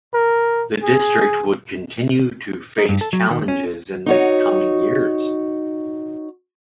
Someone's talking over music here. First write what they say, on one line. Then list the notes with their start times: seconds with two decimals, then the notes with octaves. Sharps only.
The district would continue to face challenges in the coming years.
0.14 A#4
0.83 G#4
2.78 D#4
2.89 G2
3.01 A4
3.13 F#3
3.31 D#3
3.48 C#4
4.06 D#4 F#4 C#5